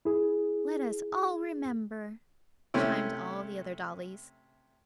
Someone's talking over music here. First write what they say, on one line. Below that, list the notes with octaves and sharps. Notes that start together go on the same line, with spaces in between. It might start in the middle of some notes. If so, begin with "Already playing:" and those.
"Let us all remember," chimed all the other dollies.
E4 G#4
C3 A3 C#4 E4